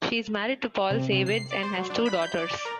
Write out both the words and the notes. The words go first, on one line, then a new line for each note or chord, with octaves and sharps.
She is married to Paul Sayvetz, and has two daughters.
C3
C3
C7
D5
C5
F#3
D4
B5
G6
D5
A#4